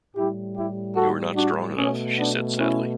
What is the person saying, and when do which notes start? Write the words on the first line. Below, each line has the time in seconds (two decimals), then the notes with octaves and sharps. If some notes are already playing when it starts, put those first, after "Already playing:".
"You are not strong enough," she said sadly.
0.16 A2 G3 E4 G4
0.56 E4 G4
0.96 F#4 A4
1.36 D4 F#4
1.76 B2 A3 C#4
2.17 B3 D4
2.57 C#4 E4